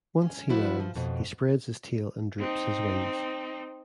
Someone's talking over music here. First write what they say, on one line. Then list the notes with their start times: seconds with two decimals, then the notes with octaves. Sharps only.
Once he lands, he spreads his tail and droops his wings.
0.22 C#4
0.49 F3 E4 F#4 B4
0.80 F3
0.95 F2 B2
2.39 C4 D#4